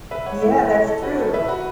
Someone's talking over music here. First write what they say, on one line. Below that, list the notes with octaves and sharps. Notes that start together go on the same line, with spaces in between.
Yeah, that's true.
B4 E5
C#5 F#5
E2 E3 A3 B4 E5
B4 E5
A4 C#5
A4
F#4 B4
A4 C#5
B4 E5
F#4 B4